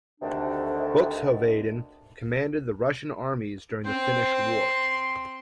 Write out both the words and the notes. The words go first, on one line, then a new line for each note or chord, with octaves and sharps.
Buxhoeveden commanded the Russian armies during the Finnish War.
D2 C3 D#3 D4
C4 C5
C6